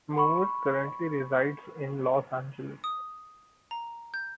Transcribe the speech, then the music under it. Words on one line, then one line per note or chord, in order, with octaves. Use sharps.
Moore currently resides in Los Angeles.
B5 C#6
D#6
A#5
G6